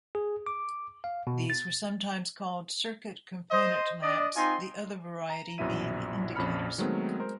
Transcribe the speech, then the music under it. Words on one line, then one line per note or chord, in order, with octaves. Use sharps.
These were sometimes called "circuit-component" lamps, the other variety being indicators.
G#4
D6
F5
B2
A6
C5 D#5
D4 D5 D#5 D#6
C4 D#4 F4 G#5 C6
A#5
A#1 F#2 B2 E4 E5 D#7
A#1 F2 C#4 B5 F6 C#7
D#3 F#3 G#3 A3 B3 C4
G#3 A#4 C5